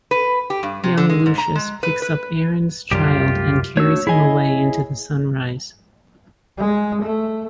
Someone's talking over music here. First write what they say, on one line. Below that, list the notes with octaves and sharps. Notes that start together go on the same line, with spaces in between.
Young Lucius picks up Aaron's child and carries him away into the sunrise.
B4
G4
G2
C3
D3
G#3
G#2
A#5
G#3
B4
B4
C2 F#2 G3 F4 G4
A3 D4 F#4 C#5 E6
E4 G#4 C#5 D#5 G#5
G#3
A3